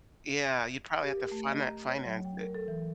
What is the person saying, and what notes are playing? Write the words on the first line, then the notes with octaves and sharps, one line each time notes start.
Yeah, you probably have to finan finance it.
G4
A#4
A3
D#5
A#5
C#5
F#3
G5
A#4
A4
E3